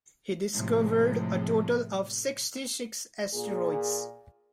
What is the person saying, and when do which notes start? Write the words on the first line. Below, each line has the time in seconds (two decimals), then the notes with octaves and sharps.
He discovered a total of sixty-six asteroids.
0.53 A2 C3 F3 G#3
3.34 A#2 G#4